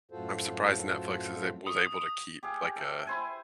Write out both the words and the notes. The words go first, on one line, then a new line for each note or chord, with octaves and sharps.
I'm surprised Netflix is a was able to keep, like, a
F#2 A2 F4 F#4 A4 C5
D#6
G4 G#4 F5
A4 E5
E4 C5 G#5